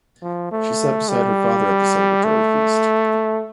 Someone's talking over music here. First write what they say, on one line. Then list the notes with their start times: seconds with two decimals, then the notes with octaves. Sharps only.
She sat beside her father at the celebratory feast.
0.22 F3
0.51 A3
1.09 G3
2.24 A3